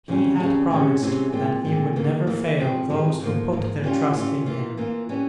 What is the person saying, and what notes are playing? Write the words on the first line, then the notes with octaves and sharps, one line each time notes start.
He had promised that He would never fail those who put their trust in Him.
F2 C#3 G3 C#4
F2 C#3 G3 C#4
E2 C3 E3 G#3 C#4
E2 C3 E3 G#3 C#4
A#2 G#3 C4
A#2 G#3 C4
E2 E3 A#3
E2 E3 A#3
G2 F3 G#3 C4
G2 F3 G#3 C4
G#2 F3 A#3
G#2 F3 A#3
E3 G3 C#4 F4
E3 G3 C#4 F4
E3 A#3 F4
E3 A#3 F4
E3 G3 C#4